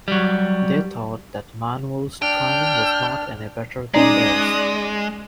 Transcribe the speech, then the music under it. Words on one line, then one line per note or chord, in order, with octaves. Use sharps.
They thought that Manuel's driving was not any better than theirs.
F#3 G3
D4 G5 F6
G#3 C#4 D#4 D5 D#5 A#5 D#6